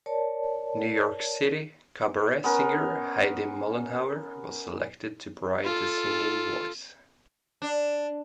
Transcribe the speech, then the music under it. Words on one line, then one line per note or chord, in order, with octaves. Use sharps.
New York City cabaret singer Heidi Mollenhauer was selected to provide the singing voice.
A#4 C#5 D5 A5
B3 C#4 A#4
F4 A4
D4